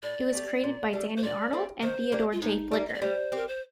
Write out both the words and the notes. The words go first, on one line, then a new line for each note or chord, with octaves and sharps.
It was created by Danny Arnold and Theodore J. Flicker.
A2 D5
A3 D4 G4
A#2
G3 D4 A4
C5
A#2 D5
A3 C4
D#3 C5
A#3 D4 G4
F4
A2 D#4
G3 A#3
D#5
D5
G3 C5
C4 G4 A#4
C5